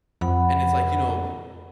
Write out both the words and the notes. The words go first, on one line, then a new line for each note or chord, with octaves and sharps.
And it's like, you know,
F2 F#5 B5